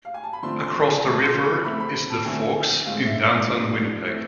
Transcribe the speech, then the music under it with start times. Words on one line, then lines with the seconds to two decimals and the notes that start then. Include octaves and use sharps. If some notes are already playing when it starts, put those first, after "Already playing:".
Across the river is The Forks in Downtown Winnipeg.
0.05 F5
0.14 G#5
0.24 A5
0.33 B5
0.43 D3 F3 A3 C4 C6
0.63 C6
1.03 C3 F3 A3 C4 A5
1.23 C6
1.44 B5
1.64 E3 A3 C4 B5
1.80 B5
2.10 A5
2.25 D3 A3 C4 G#5
2.85 A2 G#3 C4 F5
3.06 E5
3.26 D5
3.46 C3 F3 B3 D4
4.07 E3 A3 C4